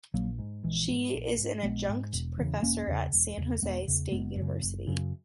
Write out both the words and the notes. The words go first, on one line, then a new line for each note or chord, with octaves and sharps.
She is an adjunct professor at San Jose State University.
A#1 F#3 A#3
G#2
A#1 E3 G#3
G#2
A#1
G#2
A#1 G#3 B3
G#2
E1
E2 C#3
E1 A#3 C#4
E2 C#3
E1
E2 C#3
E1 G#3 B3
E2 C#3
F#1 G#3 B3
F#2
C#3
F#1
F#2 C#3